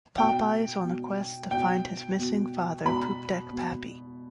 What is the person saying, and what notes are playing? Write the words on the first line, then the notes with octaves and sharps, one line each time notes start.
Popeye is on a quest to find his missing father Poopdeck Pappy.
B2 G5
B2
B2 G5
B2
B2 B5
B2